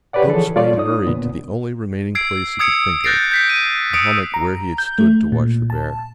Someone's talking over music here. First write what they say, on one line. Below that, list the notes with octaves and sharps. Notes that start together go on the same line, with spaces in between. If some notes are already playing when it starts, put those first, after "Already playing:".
The boatswain hurried to the only remaining place he could think of, the hummock where he had stood to watch the bear.
G4 B4 C#5 D5 F#5
D3 E3 F3 G#4 A4 C#5
G3 F4 A4 C#5 D5 F5
D#4 C#5 D#6
A#2 D3 B3
E6 G#6 C7 D7
D#6 E6 G#6 C#7 D7
F#6 G6 A6 A#6 C7 D7
G6 B6 C7
D#7
D#6 E6 C#7 D7
A#5
G6
A3
A#2
A5